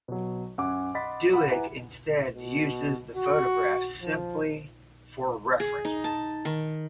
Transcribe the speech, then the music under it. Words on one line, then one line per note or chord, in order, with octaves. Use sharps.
Doig instead uses the photographs simply for reference.
B2 F#3
F#2 F#5 G#5 D6
D#5 F#5 B5 C6 A6 B6
F5 F#5 B5
E4 B4 F#5 G#5 A#5
B2
F#4
F3
G#4
D#4
A5
D#3